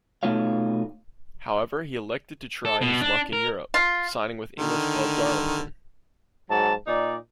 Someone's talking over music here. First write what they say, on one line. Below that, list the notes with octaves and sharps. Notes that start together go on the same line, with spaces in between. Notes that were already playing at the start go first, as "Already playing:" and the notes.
However, he elected to try his luck in Europe, signing with English club Darlington.
B2 A3 D#4 F4 C#5 F5
A4
B2
D4
A#4
F4
D3 D#3
G#2 F#3 A5
A#2 D#4 D5